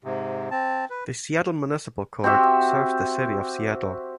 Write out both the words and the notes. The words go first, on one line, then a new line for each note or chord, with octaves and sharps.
The Seattle Municipal Court serves the City of Seattle.
G#2 C3
C4 A5
B4
C4 F#4 G4 E5